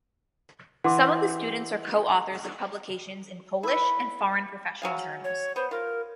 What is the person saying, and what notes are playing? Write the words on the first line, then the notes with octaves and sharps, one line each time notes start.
Some of the students are co-authors of publications in Polish and foreign professional journals.
E3 F#5 C6 D6
E4 B4
F#3 G#4 F5
C#5
B3 C5
F4 A#4